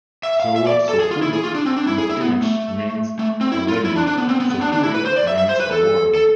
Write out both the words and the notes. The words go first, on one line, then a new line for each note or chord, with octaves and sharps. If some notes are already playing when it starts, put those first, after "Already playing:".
The word "sopuli" in Finnish means a lemming, "soturi" means a warrior.
E5
F5
E5
D5
A4
G#4
F4
E4
G#4
F4
D4
C4
D4
E4
G#4
E4
B3
A3
A3
C4
E4
F4
E4
D4
D4
B3
C4
B3
B3
D4
D4
E4
B4
C5
D5
E5
E5
C5
B4
A4
A4